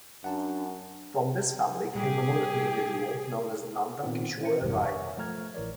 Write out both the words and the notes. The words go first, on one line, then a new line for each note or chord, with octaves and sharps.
From this family came another individual known as Nanda Kishore Rai.
F#2 D4 F#5 A5
A#2 G3 G4 G#4
A#2 D#3 B3 C4 F4
E3 C#4 E4 C5 C#7
G#1 F2 B2 G3
C#5 E5 G#5 C#6
F3 A3 A#5 F6 G#6
A1 E3 A#4 C#5 D5